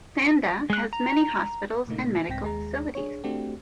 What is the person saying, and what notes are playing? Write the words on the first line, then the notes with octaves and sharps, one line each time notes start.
Sanda has many hospitals and medical facilities.
G#3 F#6
A#5
A#2 C#3 A3 A#3 D#4
C2 G#2 C4 G5 A#6 B6
D#2 G#3 G#4 A#5
D4 G#4 C#5
A3 C4 D4 F#4 G4